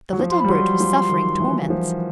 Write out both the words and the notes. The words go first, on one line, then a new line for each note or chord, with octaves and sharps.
The little brute was suffering torments.
F#3
F3
C6
G3 B5
F#3 C6
F3
D#3
E3
F3